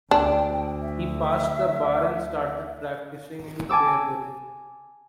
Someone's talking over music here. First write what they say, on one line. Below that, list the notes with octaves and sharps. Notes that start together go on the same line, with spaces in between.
He passed the bar and started practicing in Fairbury.
D2 D4 G5
E5
G#5 A5 D6 E6